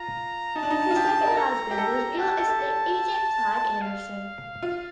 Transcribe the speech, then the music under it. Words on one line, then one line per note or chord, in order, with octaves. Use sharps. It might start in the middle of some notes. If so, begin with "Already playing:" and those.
Her second husband was real estate agent Clive Anderson.
Already playing: F4 A#5
D#4 A5
D4
D#4
F4
G4
A#4
A4 A#5
G4
A4
G4 A5
A4
G4
A4
F5
F4